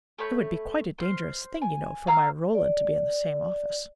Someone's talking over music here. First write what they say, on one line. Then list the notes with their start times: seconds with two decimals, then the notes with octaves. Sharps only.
"It would be quite a dangerous thing, you know, for my Roland to be in the same office."
0.18 A3 C#5 B5 G6
0.98 C5 F6
1.62 G#5
2.07 F5 A#5 E6 F6
2.55 D5